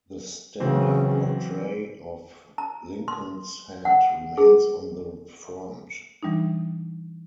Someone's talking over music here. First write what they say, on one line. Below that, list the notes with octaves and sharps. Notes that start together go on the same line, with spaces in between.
The standard portrait of Lincoln's head remains on the front.
C#3 E3 F#3 C4
A#5
C6
F#5
G#4
E3 G3 D4 D#4